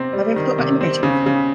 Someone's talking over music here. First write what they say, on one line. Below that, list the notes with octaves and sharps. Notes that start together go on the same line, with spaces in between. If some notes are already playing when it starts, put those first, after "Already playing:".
Have you ever thought about emigrating before?
Already playing: C3 C4
G3
D#3
C3
C4
C#3
C#3